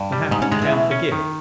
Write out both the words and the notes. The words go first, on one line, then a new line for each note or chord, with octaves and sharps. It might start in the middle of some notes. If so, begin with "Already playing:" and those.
The happy can forgive.
Already playing: G2
G3
G#2 D#4
C#4
D#3 G#3
E3
B2
C#4
D#3